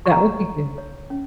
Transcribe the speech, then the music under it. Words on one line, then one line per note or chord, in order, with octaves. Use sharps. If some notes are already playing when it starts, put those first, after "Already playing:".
That would be good.
C#6
G#4 A#5
C#5
C#5
C#4